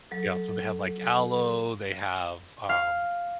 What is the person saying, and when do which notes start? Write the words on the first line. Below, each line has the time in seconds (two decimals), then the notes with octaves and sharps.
yeah, so they have, like, aloe, they have, um,
0.11 F#3 A4
2.69 F5